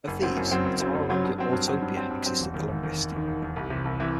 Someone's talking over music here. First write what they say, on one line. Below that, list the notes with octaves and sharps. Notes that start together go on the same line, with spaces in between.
Of these, the Tomorrowland Autopia existed the longest.
F#1
F#2 F#3 C4
F#1
F#2 F#3 C4
F#1
F#2 F#3 C4
F#1
F#2 F#3 C4
G2
F#3 C4
G2
F#3 C4
G2
F#3 C4
G2
F#3 C4
E1
D#2 D#3
E1
D#2 D#3
E1
D#2 D#3
E1
D#2 D#3
C2
C3 E3
C2
C3 E3